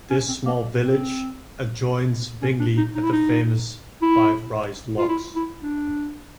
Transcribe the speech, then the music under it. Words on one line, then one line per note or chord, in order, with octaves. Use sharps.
This small village adjoins Bingley at the famous Five Rise Locks.
C#4
C4
A#3
C4
C#4
D4
D#4
D#4
E4
D#4
E4
F4
E4
E4
D4